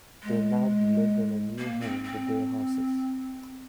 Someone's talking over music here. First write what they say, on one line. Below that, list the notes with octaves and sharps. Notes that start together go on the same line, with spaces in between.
They now live in a new home with their horses.
G#3
A#3
C4
C4